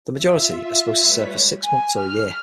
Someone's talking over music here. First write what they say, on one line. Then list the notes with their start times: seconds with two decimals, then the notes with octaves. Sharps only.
The majority are supposed to serve for six months or a year.
0.12 F4 E5
1.01 G3 A3 B4 C#5 B6
1.64 G#5
1.98 F6